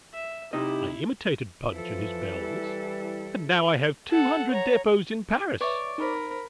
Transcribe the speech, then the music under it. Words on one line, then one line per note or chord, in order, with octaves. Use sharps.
I imitated Punch and his bells, and now I have two hundred depots in Paris.
E5
C3 D#4 E4 G4 D#5
E3 F3 E4 A4
G3
A4 F#5
C#5 A#5
B4 C#5 D5 E5
D#4 A#4 C5 B5